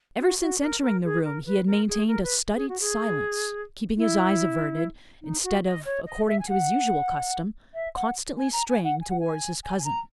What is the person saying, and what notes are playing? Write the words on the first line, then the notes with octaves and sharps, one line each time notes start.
Ever since entering the room he had maintained a studied silence; keeping his eyes averted, instead of, according to his usual custom, constantly straying towards his cousin.
F#4
F#4
A#4
A#4
G#4
A#4
B4
A#4
G#4
A#4
B4
G#4
F#4
G#4
E4
D#4
F#4
D#5
C#5
D#5
E5
G#5
F#5
E5
F#5
G#5
A#5
G#5
F#5
G#5
F#5
G#5
G#5
G#5
A#5